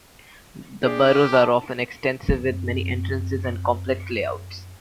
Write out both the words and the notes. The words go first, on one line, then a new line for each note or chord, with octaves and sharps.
The burrows are often extensive with many entrances and complex layouts.
D4 G4 G#4
A5
F#2 C4